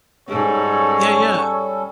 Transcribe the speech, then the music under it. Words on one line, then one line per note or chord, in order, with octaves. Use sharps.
Yeah, yeah.
G#2 G3 C#4 A4 C#5